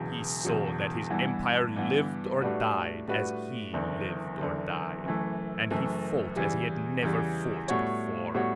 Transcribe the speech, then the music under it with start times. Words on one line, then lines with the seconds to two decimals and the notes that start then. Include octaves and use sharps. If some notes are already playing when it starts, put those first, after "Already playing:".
He saw that his empire lived or died as he lived or died, and he fought as he had never fought before.
Already playing: E1 E2 C#3 F#3
0.45 E1 E2 C#3 F#3
1.10 G2 E3 B3
1.76 G2 E3 B3
2.42 A2 G3 D4 F#4 B4
3.08 A2 G3 D4 F#4 B4
3.73 F#1 E2 D3
4.40 F#1 E2 D3
5.05 F#1 F#2 E3 A3
5.71 F#1 F#2 E3 A3
6.36 E2 C#3 E3 G3
7.02 E2 C#3 E3 G3
7.68 A2 G3 B3 F#4 C#5
8.34 A2 G3 B3 F#4 C#5